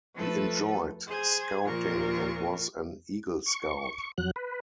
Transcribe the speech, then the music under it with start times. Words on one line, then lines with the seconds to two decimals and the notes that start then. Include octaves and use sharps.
He enjoyed Scouting and was an Eagle Scout.
0.16 F3 A3 A4 B4
1.06 G#4 C5 G#6
1.64 A#2 F3 F4 A#4 C#6
3.46 C#6
4.18 F2 F#3 F#6
4.36 B4